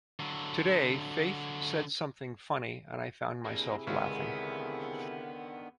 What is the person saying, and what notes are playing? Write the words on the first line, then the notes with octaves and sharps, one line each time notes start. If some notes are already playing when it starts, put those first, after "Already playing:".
Today Faith said something funny and I found myself laughing.
D3 F#3
C3 A#3 D4 E4 G#4
C#2 D3 D#3 B3